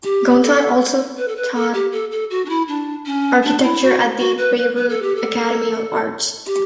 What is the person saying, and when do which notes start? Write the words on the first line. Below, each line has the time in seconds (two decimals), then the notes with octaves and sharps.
Gontard also taught architecture at the Bayreuth Academy of Arts.
0.04 G4
0.30 G4
0.42 A4
1.17 B4
1.28 A4
1.36 B4
1.55 A4
1.74 G4
1.92 A4
2.11 A4
2.30 F#4
2.45 D4
2.49 E4
2.68 D4
3.06 C#4
3.43 D4
3.63 E4
3.82 F#4
4.19 F#4
4.38 B4
4.57 B4
4.76 B4
4.89 A4
5.02 G4
5.15 A4
6.46 G4